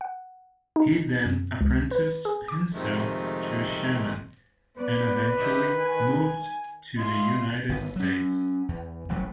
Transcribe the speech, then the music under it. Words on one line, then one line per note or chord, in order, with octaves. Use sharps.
He then apprenticed himself to a shaman, and eventually moved to the United States.
F#5
D#4
F#2
C#2
B4
G#4
D6
F2 C3 D#3 G#3 A3
B3 B4 D5
D#3 G4 D#5 E5
G#5
E4 F4 D#5 C6
G1 D#3 B3
F#3 C#4
E2
E1 A1 F#3 G3